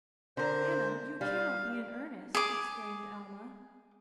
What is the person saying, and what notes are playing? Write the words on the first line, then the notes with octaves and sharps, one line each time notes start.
"Anna, you cannot be in earnest!" exclaimed Alma.
D3 A#4 C5
G3 F5
G#4 D6